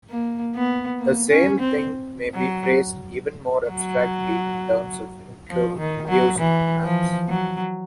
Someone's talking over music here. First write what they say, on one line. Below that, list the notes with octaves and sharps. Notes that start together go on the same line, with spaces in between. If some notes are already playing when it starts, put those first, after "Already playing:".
The same thing may be phrased even more abstractly in terms of induced maps.
A#3
B3
A#3
C#4
C4
F#3
F#3
F3
D#3
F#3
E3
F3
F#3